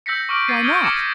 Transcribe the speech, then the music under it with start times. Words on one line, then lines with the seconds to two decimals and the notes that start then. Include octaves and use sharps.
Why not?
0.06 E6 G6 A#6 B6 C#7
0.29 C#6 D6 F6 D7
0.48 G#6 A6 C7 D#7
0.64 C#6 D#6 F6 G6 G#6 G7
0.82 D6 F6 A6 A#6 C#7 E7